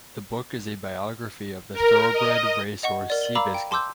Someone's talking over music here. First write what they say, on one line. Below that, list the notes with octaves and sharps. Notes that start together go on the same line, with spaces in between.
The book is a biography of the Thoroughbred racehorse Seabiscuit.
A#4
D#5
D#5 F#5 C#6
A#4 D5
D5 F#7 G7
F5 A#5 B5 D6 E6
G5
A5 C6 D6 E6 G6